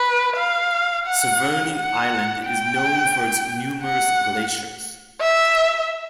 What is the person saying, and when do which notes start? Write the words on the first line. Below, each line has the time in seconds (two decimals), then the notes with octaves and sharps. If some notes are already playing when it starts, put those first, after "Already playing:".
Severny Island is known for its numerous glaciers.
Already playing: B4
0.36 F5
1.06 F#5
1.75 F#5
2.45 G5
3.83 F#5
5.21 E5